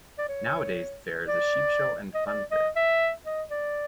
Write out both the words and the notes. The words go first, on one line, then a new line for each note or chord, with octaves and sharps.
Nowadays the fair is a sheep show and funfair.
D5
C#5
D5
D#5
D5
D#5
E5
D#5
D5